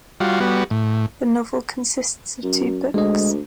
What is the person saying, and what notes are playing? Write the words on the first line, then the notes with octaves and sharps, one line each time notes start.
The novel consists of two books.
G3 F4 F#4
G3 B3 F#4
A2
F#2
D2 G#3 D#5